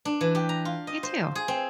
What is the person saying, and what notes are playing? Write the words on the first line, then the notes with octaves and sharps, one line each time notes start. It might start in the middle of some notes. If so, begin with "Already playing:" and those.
Me too.
D4
E3
G4
A#5
F4
D#5
C5
G#4
C4